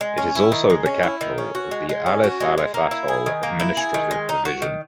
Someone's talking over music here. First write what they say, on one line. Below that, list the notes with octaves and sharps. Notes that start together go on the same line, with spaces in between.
It is also the capital of the Alif Alif Atoll administrative division.
G#3
C#4
E4
D#3
G#3
C#4
E4
D#3
C#4
F#4
G#3
G#3
C#4
F#4
G#3
G#3
A#3
E4
G#4
D#3
A#3
E4
G#4
D#3
G#3
D#4
F#4
D#3